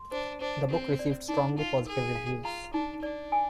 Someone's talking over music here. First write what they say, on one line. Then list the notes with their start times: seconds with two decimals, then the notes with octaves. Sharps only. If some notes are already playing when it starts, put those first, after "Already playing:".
The book received strongly positive reviews.
Already playing: C6
0.12 D4 C5
0.41 D4 C5
0.70 C4 G#4
0.99 D5
1.28 D4 D#4
1.57 D#4 F4
1.86 G#4 A#4
2.15 F5
2.44 F4 A#5
2.73 D4 D#4
3.02 D4 D5
3.32 G#5